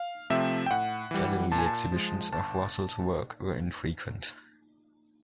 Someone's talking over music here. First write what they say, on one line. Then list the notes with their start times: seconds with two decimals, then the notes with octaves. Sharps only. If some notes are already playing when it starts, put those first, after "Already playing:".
Gallery exhibitions of Russell's work were infrequent.
Already playing: F5
0.30 C3 F3 A3 C4 E5
0.66 G5
0.70 A2 F#5
1.11 E3 G3
1.52 A#2 A5
1.58 G#5
1.66 A5
1.92 F3 G#3
2.33 G1 A5